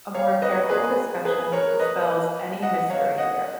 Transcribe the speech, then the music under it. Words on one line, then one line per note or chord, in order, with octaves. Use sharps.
A more careful discussion dispels any mystery here.
C#5 F5
B4 D#5
G#4 B4
G#4 B4
A#4 C#5
B4 D#5
D#5 F#5
C#5 F5
D#5 F#5